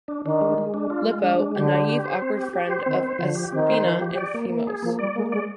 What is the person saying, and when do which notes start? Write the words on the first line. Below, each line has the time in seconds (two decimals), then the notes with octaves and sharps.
Lipo: A naive, awkward friend of Espinha and Fimose.
0.08 D4
0.24 D#3 D4
0.41 G#3
0.58 G#3
0.74 D4
0.90 F4
1.07 G#3
1.23 D4
1.40 G#3
1.56 D3 G4
1.72 G4
1.89 G4
2.05 C5
2.22 C4
2.37 G4
2.53 G4
2.70 C5
2.86 D#3 C4
3.03 C5
3.19 D3 F3
3.35 G4
3.52 D#3 C4
3.69 C5
3.85 F3
4.01 G4
4.18 D5
4.34 A#3
4.50 A#3
4.67 G#4
4.82 F3 A#3
4.99 G3 D5
5.16 G#3 A#3
5.32 G#3 D5